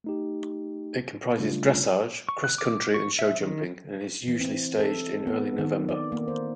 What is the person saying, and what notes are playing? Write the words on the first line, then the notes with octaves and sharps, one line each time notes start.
It comprises dressage, cross-country and show-jumping and is usually staged in early November.
A3 D#4 G4
C#3 G3 A3 D4 F4
C#6
F#6
D6
C#6
E5
D#3
E3
C4
A4
B3
D#3
D5
A#3
C5